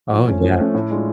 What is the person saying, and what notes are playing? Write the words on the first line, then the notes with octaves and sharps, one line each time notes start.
Oh, yeah,
F3
A3 C#4
F3
A3 C#4
A2
G#3 D4 F4